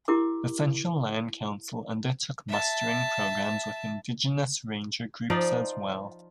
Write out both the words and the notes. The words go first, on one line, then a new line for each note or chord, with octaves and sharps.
The Central Land Council undertook mustering programs with Indigenous ranger groups as well.
E4 G4 A#4 D6
E5 A5
F3 D#4 F4 D5